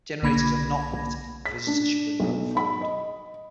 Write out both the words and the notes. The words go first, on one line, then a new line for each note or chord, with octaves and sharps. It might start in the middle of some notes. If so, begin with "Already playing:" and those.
Generators are not permitted and visitors should bring their own firewood.
B1 D3 A#3 B5 G#6 A#6
B6
D4
B1
B5
D#5